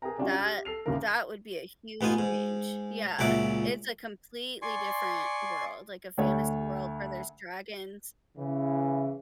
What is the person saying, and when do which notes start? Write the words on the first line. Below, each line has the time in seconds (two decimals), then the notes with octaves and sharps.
that that would be a huge change Yeah, it's a completely different world, like, a fantasy world where there's dragons
0.02 G#4 A#4 B4 G5 A#5
0.18 G3 C#4 D4 F4 F#4 G5
0.40 G4 F6
0.65 A4 C7 F7
0.86 A1 D#2 C#3 E3 A#3 A#4
2.01 A1 B3 D#4 F4 G#5
2.19 G#2
3.19 C#2 A#2 F#3 E5 F#5 D6
4.62 D5 G#5 C6 C#6
6.18 D2 C#5
8.38 C#3 E3